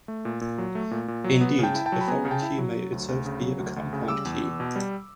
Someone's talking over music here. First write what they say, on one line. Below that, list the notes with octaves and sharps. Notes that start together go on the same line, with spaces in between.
Indeed, a foreign key may itself be a compound key.
A3
A#2
A#2
F#3
A3
A#2
A#2
F#3
B3
C#3 G5 A5
E4
G5 A5
F#3
B5
B3 G#5 A#5
C#3
G5 A5
E4
F#3
F#3
D2
D2
C#3
F#3
D2
D2
C#3
G3 D6 E6
E2
E2
B2
G3